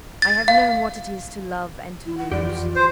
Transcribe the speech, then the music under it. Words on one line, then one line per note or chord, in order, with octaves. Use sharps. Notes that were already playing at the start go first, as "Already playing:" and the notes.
I have known what it is to love and to lose.
A6
F5
E4
F#5
F2 E3 G4 D5
F4
C5